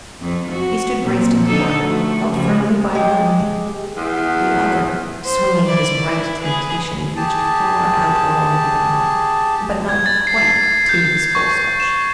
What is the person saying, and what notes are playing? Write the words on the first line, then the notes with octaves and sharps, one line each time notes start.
He stood braced in the fork, held firmly by one hand--the other, swinging his bright temptation, reached far out along the bough, but not quite to his full stretch.
F2
F#4
A#2 C4
D3 D#4 A4
F3 A3 F#4
C#3 F3 G3
G#3 G4
E2
C5
E4 D5
E4
G#4 B4
G4 G#4 A5
G#6
A6
C7
G6
C#6
E7